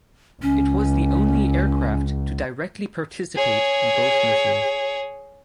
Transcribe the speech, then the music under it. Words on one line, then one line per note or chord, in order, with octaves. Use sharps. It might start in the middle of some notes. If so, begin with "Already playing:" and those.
It was the only aircraft to directly participate in both missions.
C#2 C#4
G#4 C#5